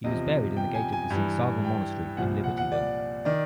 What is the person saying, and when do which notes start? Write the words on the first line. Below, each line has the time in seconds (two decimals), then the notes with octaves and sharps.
He was buried in the gate of the Saint Sava Monastery in Libertyville.
0.04 E2 C3 F3 D#5
0.57 G5
0.74 G#5
0.93 G#5
1.10 G2 E3
1.64 G5
2.17 C2 A#2 F3 F#5
2.44 F#5
2.58 F#5
2.72 D5
3.25 D#3 D5